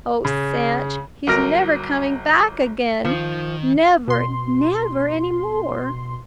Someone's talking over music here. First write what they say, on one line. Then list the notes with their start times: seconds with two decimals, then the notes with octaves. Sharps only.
"Oh, Sanch, he's never coming back again; never, never any more!"
0.25 C#3
1.27 G1 F#3 A#4 F6 A#6 D7
3.05 D#3 F3
4.08 B2 C6